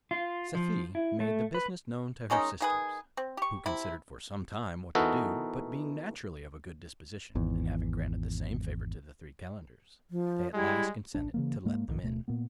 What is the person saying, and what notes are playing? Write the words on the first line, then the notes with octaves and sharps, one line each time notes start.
Safie made the business known to her sisters, who considered for some time what to do: but being naturally of a good disposition, and having granted the same favour to the three calenders, they at last consented to let them in.
F4
F3
E4
A3
B4
D#3 G#3 C#4 D#4
D#3 G#4 B4
C4
G4 C#6
C3 E4
E3 B3 D#4 F#4 A4 A#4
G#1 E2
F3
G3 G#3 E4
A1 D4
C#3 E3 A#3
G#2 G#3 A#3
B1 F2 G#2 D#3
D1 B2 A3
A#2 A#3 B3